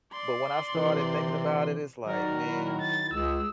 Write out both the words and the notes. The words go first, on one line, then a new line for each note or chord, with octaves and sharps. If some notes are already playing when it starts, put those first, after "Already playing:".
but, when I started thinking about it it's like, man,
D5 C6
C3 E3
D#3 F#3 F#4 A#4 D5
E4
A6
C#2 G#4 E6